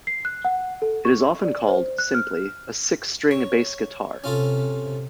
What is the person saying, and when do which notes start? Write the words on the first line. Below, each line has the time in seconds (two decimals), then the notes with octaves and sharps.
It is often called, simply, a "six string bass guitar".
0.07 C7
0.25 F#6
0.45 F#5
0.82 A4
1.05 C#6
1.44 D5
1.68 C5
1.98 F#6
2.14 F6
3.31 C#5
4.24 C3 C#4 F4 A4